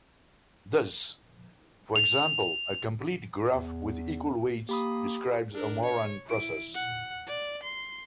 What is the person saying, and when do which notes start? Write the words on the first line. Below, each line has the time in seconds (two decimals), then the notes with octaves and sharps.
Thus, for example, a complete graph with equal weights describes a Moran process.
1.96 F7
3.46 E2
4.69 A#3 G4 B5 D#6
5.54 D4 A#4
5.83 C#5
6.27 E4 D7
6.75 F#5
7.27 D5
7.63 C6